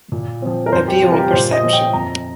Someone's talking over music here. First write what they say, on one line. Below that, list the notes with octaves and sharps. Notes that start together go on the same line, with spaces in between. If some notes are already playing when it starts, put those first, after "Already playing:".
A view on perception.
A#2
F3 C4
A#4
F2 C5
G4
C3 G3 F4
A#4
G4
A#2 C5
D#5
F3 A#3
G5
F2 A#5